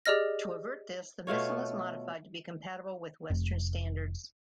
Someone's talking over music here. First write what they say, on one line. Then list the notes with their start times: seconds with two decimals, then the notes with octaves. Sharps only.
To avert this, the missile is modified to be compatible with western standards.
0.06 G4 G#4 D5 D#5 F6 A#6
1.27 B2 A3 F4 C#5
3.30 F1